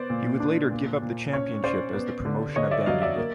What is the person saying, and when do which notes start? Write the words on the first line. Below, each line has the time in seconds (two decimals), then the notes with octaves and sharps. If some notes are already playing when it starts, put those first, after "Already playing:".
He would later give up the championship as the promotion abandoned it.
Already playing: B3 C5 D5
0.10 A#2
0.40 D4
0.71 A#2
1.02 A#2
1.33 C#4 C#5
1.64 C#4 C5 D5
1.95 B3
2.25 D3
2.56 D3 C#5 D#5
2.71 D5 E5
2.86 F#3 D#5 F5
3.02 D5 E5
3.17 A#3